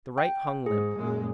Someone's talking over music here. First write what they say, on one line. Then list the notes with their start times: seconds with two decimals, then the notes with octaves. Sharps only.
The right hung limp.
0.18 G5
0.66 G#2 G#4
0.96 F#2 A#2 G#3